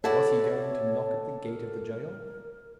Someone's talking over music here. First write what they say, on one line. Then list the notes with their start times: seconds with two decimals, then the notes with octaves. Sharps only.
Was he going to knock at the gate of the jail?
0.04 E4 F#4 A4 C#5 D5
1.44 A#4